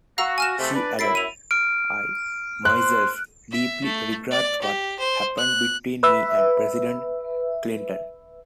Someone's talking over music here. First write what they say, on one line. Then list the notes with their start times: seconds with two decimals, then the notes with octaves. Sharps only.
She added: I, myself, deeply regret what happened between me and President Clinton.
0.18 F#4 F5 A#5 E6
0.38 G#5 F6 E7
0.59 C3 A3
0.74 D4 B4 D5
0.99 F#2 E4 B5 A6 C7 D7
1.15 D#7 F7
1.51 F6 D7
2.65 C5 F#6
3.51 E5
3.84 A3
4.31 D5
4.61 G4
4.99 C5
5.38 F#6
6.03 B4 E5